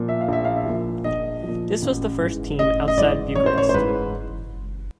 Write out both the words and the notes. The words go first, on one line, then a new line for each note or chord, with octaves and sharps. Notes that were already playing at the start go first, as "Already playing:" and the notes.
This was the first team outside Bucharest.
Already playing: A#2 F3
E5
F5
A#1 E5
F5
E5
A#2 F3
A#1 D#5
A#2 F3
A1
G#2 E3
A1 D#5
D#5
G#2 E3 D5
A1 C#5
C5
C#5
C5
G#2 E3 B4